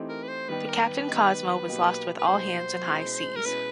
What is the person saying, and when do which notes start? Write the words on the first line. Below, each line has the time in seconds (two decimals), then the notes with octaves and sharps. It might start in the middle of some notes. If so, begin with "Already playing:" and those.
The "Captain Cosmo" was lost with all hands in high seas.
Already playing: E3 A3 C4 D#4 G4
0.09 A#4
0.23 B4
0.29 C5
0.48 D#3 G3 B3 D#4 G4 B4
0.68 A#4
0.88 B4
1.08 D#3 G3 B3 D#4 G4
1.67 B2 F#3 A#3 D#4 G4
2.19 B4
2.27 B2 F#3 A#3 D#4 G4 C5
2.86 B2 G#3 C#4 E4
3.36 A#4
3.45 B2 G#3 C#4 E4 B4